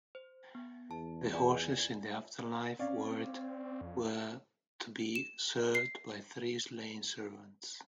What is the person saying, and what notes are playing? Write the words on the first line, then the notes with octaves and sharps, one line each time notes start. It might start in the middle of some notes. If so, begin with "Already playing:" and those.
The horses in the afterlife world were to be served by three slain servants.
C5
B3
E2 A5
F4 D5 G#5
C4 C#4 D5 F5
F2
E7
C7